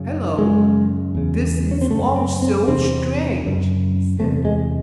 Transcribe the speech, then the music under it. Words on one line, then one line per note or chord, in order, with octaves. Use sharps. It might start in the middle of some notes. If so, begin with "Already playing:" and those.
"Hello, this is also strange!" he said.
Already playing: F#2 C#3
F#2 C#3 G#3
E2 C#3
C#4
C4
F#2 C#3 A3
C4
C4
E2 C3 C4
F#2 C#3
E2 C3 A3
G#3